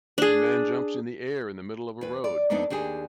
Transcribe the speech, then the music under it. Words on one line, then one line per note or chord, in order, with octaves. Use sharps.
A man jumps in the air in the middle of a road.
D4 G#4
E2 B4
D5
F2 A3 B3 D4 D#4 D5
D#2 D4 G4 G#4